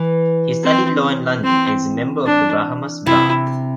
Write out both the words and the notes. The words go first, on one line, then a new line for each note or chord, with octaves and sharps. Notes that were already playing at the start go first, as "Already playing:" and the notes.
He studied law in London and is a member of the Bahamas Bar.
Already playing: E3
C4
C4
D4
C3 E4